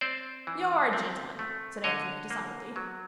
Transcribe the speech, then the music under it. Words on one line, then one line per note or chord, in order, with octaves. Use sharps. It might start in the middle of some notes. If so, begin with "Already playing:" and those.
"You're a gentleman," said Anthony, decidedly.
C4 C5 D5
E3
C4
A3
D3 C#5 D#5
A#3
F#3